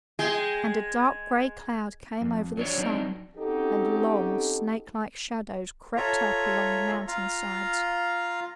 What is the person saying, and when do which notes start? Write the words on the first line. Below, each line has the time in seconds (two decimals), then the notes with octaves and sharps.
And a dark gray cloud came over the sun, and long, snakelike shadows crept up along the mountain sides.
0.19 G#3 G#4 G5 C6
2.21 F2
2.57 F#3 D4 C#5
2.78 F#3 C4 D4 D#4
3.37 C4 C#4 D#4 F#4 G4 A4
5.97 F4 A4 C#5 E5 A#5
7.08 F4 F5 A#5